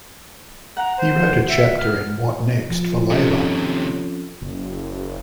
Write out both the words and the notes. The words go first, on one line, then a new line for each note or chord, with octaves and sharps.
He wrote a chapter in What Next for Labour?
F#5 A#5
C5
E5
F6
F3
D#2 C3 C4 C#4 A4
F#1